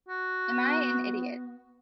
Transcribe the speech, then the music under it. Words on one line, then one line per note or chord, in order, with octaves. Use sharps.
Am I an idiot?
F#4
B3